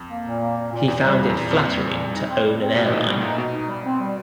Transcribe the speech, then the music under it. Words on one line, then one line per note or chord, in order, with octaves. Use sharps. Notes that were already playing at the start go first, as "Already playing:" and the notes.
He found it flattering to own an airline.
Already playing: F2
A#3
A#2
A#3
A#2
A#2
E2 A#2
E2 G3
F2
A#3
E2 A#2
F2 A#3
G3
A#2
G3
D#4
C4
G3
C4
B2 G3
A2
A#2 D#4
G#2 G3
A#2 D#4
B2 D#4
D#4
G3
C4
G3